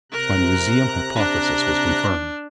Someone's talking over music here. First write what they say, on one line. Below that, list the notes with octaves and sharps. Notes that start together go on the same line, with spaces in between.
My museum hypothesis was confirmed.
C3 A#4 A#5 F#6
D4